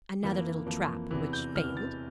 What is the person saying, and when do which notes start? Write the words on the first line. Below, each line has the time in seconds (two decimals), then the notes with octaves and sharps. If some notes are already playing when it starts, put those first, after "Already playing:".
Another little trap which failed.
0.23 F2 E3 A#3
0.66 F2 E3 A#3
1.11 E2 C3 E3
1.33 G6
1.55 E2 C3 E3 F6
1.77 A6